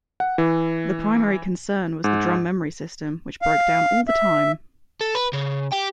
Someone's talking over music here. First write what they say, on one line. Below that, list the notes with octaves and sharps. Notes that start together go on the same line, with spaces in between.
The primary concern was the drum memory system, which broke down all the time.
F#5
E3
G#2
F5
E5
A4
B4
C#3
G4 G5